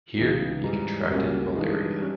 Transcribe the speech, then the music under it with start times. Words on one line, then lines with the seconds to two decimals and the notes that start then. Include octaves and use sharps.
Here he contracted malaria.
0.18 C#2 C#3 E3 G#3 D#4
0.64 G#2 E3 G3
1.10 C#2 B2 G3 A#3 C#4
1.56 G2 E3 G#3 D#4
2.01 G3 C#4